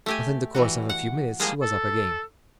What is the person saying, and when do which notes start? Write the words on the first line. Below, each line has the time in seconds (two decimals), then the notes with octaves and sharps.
But in the course of a few minutes she was up again.
0.06 A3 G4 G#5
0.55 E3 G3 F#4
0.89 F#5
1.40 F3 G3 G#3 A#3 G#4
1.62 A4